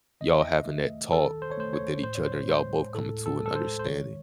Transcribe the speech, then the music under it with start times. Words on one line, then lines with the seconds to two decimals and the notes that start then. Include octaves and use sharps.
y'all having that talk within each other, y'all both coming to an understanding.
0.21 D#3 D#5
0.31 E5
0.42 D#5
0.66 A3
1.12 D#3 A4
1.42 C5
1.52 C#5
1.58 A3 C5
1.73 C#5
2.03 A2 C5
2.15 C#5
2.26 C5
2.49 G#3 C5
2.95 A2 A4
3.26 A4
3.40 G#3
3.46 A4
3.55 C5
3.79 C5
3.86 D#3 C#5